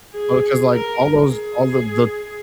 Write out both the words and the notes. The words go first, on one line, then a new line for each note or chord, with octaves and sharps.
but 'cause, like, all those all the the
G#4
A#4
G#4